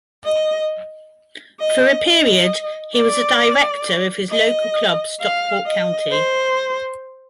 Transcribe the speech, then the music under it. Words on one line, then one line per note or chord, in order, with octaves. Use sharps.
For a period he was a Director of his local club Stockport County.
D#5
D#5
D#5
D5
D#5
F5
D#5
C5